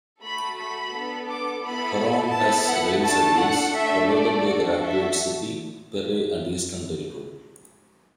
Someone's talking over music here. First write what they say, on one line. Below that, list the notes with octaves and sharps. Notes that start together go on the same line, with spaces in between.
Huron has rail service, provided by the Rapid City, Pierre and Eastern Railroad.
A3 F#4 A4 B5
B5
B3 D4 A4
D6
B3 E4 A4 B5
B3 E4 A4 A5
F#5
A3 D4 A4 A5
F#5
A3 D4 A4 E5
D5
D4 F#4 A4
E5